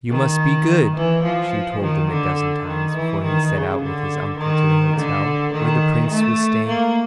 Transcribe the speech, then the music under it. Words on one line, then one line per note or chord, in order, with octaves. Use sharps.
"You must be good," she told him a dozen times before he set out with his uncle to the hotel where the Prince was staying.
D#3
E3
F3
D#3
D3
D#3
E3
D#3
C#3
D3
D#3
D3
D#3
A3
A#3